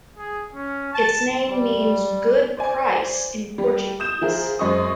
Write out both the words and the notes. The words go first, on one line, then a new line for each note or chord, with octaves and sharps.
Its name means "good price" in Portuguese.
G#4
C#4
A5
G3
C5 D5 G#5
G3 G4
D#6 G6 E7
F3 E4 G#4 A#4
F#2 G#3 C4 D#5 C#6 D#6